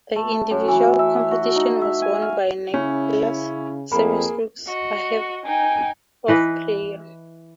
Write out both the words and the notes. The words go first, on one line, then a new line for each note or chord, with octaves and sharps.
The individual competition was won by Nicklaus seven strokes ahead of Player.
A3
F#2
E3
E5
F#4
D#4
E5
G#5
F5
C#3 C#4 E4 C#5
F2 A#3 G#4 A#5 B5
F#4 D#5
D#4 G5 G#5
E3 B4 D#5